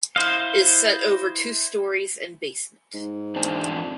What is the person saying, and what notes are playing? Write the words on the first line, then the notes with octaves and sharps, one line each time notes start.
It is set over two storeys and basement.
E4 C5 D#5 F5
G#2
E2 D4 C5
F2